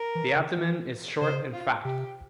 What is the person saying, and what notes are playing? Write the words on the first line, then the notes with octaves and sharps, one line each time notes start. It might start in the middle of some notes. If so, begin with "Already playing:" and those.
The abdomen is short and fat.
Already playing: A#4
E3
C#3
E3
C#3 C5
F4
C3 G4